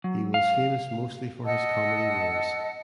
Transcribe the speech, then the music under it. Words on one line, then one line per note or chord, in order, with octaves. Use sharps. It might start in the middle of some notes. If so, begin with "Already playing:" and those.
He was famous mostly for his comedy roles.
F#3
F5
D#5 F#5 A5 E6